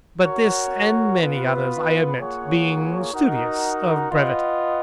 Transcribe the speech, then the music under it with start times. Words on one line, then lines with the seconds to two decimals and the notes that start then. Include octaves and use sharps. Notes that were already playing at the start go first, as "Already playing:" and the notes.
But this, and many others, I omit, being studious of brevity.
0.22 F#4 A#4 C#5 F#5
1.19 B3 F4 B4 F5
2.17 A#3 F4 G#4 C#5 F#5
3.13 D#4 F#4 A#4 D#5 F#5
4.11 F4 B4 D#5 F#5